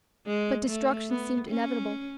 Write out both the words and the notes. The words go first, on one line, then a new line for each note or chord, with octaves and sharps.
But destruction seemed inevitable.
G#3
A3
B3
C#4